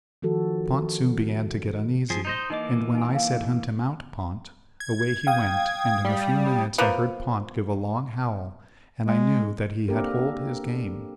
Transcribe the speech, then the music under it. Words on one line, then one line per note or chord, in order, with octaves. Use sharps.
Pont soon began to get uneasy, and when I said hunt him out Pont, away he went and in a few minutes I heard Pont give a long howl and I knew that he had holed his game.
D#3 F3 F#4 A4
F3 G#4
D#4 C5 D#5
E3 A#3 D#4 D#5 D6
D#4 G#5
F5
G#6
F5 G5 D#6
G3
F3 A#3 B3
G#3
A#3 C4 D4 G4 A4 A#4
D4